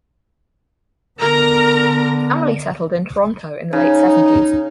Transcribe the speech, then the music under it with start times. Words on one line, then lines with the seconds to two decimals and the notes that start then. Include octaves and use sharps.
The family settled in Toronto in the late seventies.
1.20 D3 B3 A#4 A#5
3.73 C#3 D#4